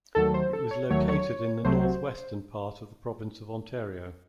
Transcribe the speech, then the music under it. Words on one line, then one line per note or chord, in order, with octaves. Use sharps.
It was located in the northwestern part of the province of Ontario.
D#2 D#3 F#3 A3 A4
C5
A4
C#5
D#2 D#3 F#3 A3 C#5
C#5
C2 C3 F#3 A3 C5